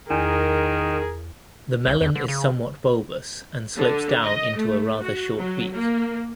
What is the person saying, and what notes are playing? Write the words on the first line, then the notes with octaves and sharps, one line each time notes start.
The melon is somewhat bulbous and slopes down into a rather short beak.
E2 D#3 G#4 A#4
C2
E2
D3
C#3
D3
D#5
A3
F#4
F#3
A#3